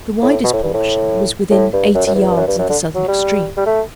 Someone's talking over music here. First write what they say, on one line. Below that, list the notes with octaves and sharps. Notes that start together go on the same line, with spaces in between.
The widest portion was within eighty yards of the southern extreme.
A2
B2
A2
G2
A2
A2
G2
F#2
F#2
E2
G2
F#2
G2
F#2
D3
F#3
G3
G3
A3